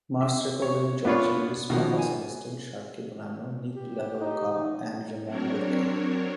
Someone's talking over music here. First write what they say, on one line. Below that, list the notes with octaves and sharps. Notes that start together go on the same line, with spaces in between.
Mares recorded George Lewis, Papa Celestin, Sharkey Bonano, Nick LaRocca, and Raymond Burke.
E5
C#5
B3 D4 F4 B4 C#5
B2 D#3 F3
G#5
G4
D#4
F#3 C4 D4 A#4 C#5